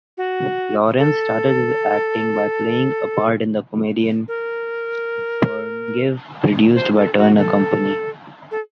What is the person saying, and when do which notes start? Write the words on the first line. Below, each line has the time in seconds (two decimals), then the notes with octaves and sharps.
Laurance started his acting by playing a part in the comedian “Birngev” produced by Turner Company.
0.18 F#4
0.99 A4
4.28 A#4
6.75 C5
6.96 A4
7.17 F#4
7.37 A4
8.51 A4